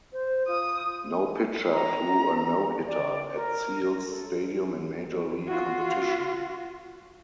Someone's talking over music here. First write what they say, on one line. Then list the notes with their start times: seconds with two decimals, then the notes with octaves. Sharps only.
No pitcher threw a no-hitter at Seals Stadium in Major League competition.
0.13 C5
0.48 F4 D#6
1.72 A#5
2.86 D5
3.34 A#4
4.07 A4
5.47 F4 F#4